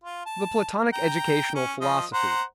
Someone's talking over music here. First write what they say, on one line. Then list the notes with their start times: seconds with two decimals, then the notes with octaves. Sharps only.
The Platonic Educational Philosophy.
0.04 F4
0.26 A5
0.93 G5 A#5
1.55 C#4
1.81 F3 D#5
2.13 C5 F#5 A#5